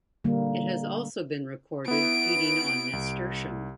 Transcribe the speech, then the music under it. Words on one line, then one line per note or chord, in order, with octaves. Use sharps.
It has also been recorded feeding on nasturtium.
D3 G3 A#3
B3 E4 D7
C2